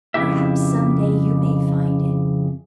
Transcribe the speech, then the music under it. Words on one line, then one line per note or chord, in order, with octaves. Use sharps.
Perhaps some day you may find it.
F2 C#3 E4 G4 E5